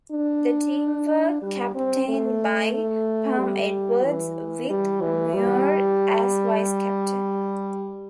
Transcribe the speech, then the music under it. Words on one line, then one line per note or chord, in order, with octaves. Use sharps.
The team were captained by Pam Edwards, with Muir as vice-captain.
D4
G3
C4
A3
A3
G3
E3
G3
E3
G3